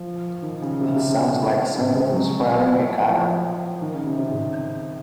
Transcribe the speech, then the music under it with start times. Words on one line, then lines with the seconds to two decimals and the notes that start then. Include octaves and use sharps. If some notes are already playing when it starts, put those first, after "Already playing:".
It sounds like someone's firing a cannon.
Already playing: F3
0.42 D#3
0.62 C#3
0.81 C3
0.88 C#3
0.96 C3
1.74 C#3
1.94 G#3
2.12 F#3
3.06 F3
3.82 D#3
3.94 C#3
4.06 C3
4.19 C3